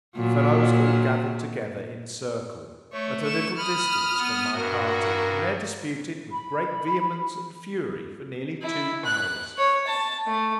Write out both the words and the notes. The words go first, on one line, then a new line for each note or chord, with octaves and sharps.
The fellows all gathered together in circle, at a little distance from my party, and there disputed with great vehemence and fury for nearly two hours.
A#2 F#3
A3 C#5
C#6 E7
B5 D#6 F6
B3
G2 F#4 A#4
B5
E4
F#6
C#5
A5
A3